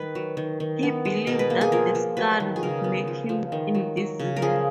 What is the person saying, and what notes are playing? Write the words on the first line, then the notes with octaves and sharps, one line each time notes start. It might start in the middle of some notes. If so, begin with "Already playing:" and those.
He believed that the skull would make him invisible.
Already playing: D#3 B4
F#3
D#3
D#3
B3
G#3
B2 A#4
B4
A#3
G#4
F3 A#4
F3
F#3 B4
D#3
G#4
C#3 A#4
B3
F3
F3
D#3
F#3
F#3
C#3
A#4
F3 G#4